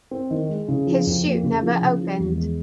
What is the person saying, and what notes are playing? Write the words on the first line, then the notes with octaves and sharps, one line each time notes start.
His chute never opened.
C4
D#3
G#3
C#3
F3
F2
A#3
C#3
F3
C#3
F3
E2
G#3